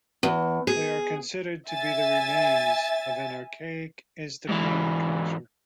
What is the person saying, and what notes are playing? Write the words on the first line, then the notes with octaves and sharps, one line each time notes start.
They are considered to be the remains of an archaic Iztapan culture.
E2
G#4
E5 G#5 A6
G#2 E3